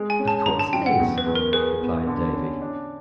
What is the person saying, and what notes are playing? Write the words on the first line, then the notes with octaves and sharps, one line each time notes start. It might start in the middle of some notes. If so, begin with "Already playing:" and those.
"Of course it is," replied Davy.
Already playing: G#3
G#5
C#4
A5
D3 A#5
A5
F#2 G5
F#5
E2
B4
E2
A#4
G#4 B4
B3
D3
C#4
D4